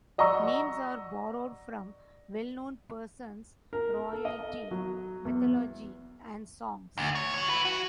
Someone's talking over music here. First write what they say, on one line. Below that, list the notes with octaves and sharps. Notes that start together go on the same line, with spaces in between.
Names are borrowed from well-known persons, royalty, mythology, and songs.
D5 D#5 F#5 A#5 C#6 E6
A#4
A4
D#5
F#3
E2
D2
C#5
F#4 C#5
E4 B4
F#4